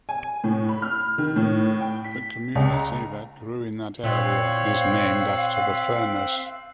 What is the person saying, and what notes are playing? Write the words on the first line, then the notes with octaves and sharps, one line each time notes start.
The community that grew in that area is named after the furnace.
G#5
A2
B5
F6
D#3
A2
G5
B6
C#2
A#5
A#2 C4 C5 C#5 E5 F5 F#6